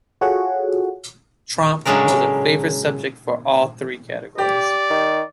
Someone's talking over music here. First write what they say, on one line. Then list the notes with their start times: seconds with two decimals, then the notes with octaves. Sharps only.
Tromp was a favourite subject for all three categories.
0.21 F4 F#4 G#4 A4 C#5 F#5
1.85 A2 C#3 F#3 G#3 D4 A#4
4.38 G4 D5
4.90 D#3